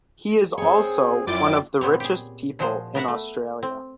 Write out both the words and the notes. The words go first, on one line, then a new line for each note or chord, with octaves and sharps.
He is also one of the richest people in Australia.
C4 G#4 C#5
F#2 E4 F4 D5 G5 D6
A#2 B3 C4 C#5
G4 G#4
A#2 F3 F#4 G#4 C5
B3 A#4 E5 F#5
A3
C4